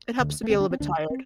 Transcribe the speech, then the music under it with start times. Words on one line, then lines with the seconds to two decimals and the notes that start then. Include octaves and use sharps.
It helps to be a little bit tired.
0.20 D2 D3
0.43 A3
0.50 D2 D3 C4
0.60 D4
0.71 C4
0.80 D2 D3 D4
1.10 C4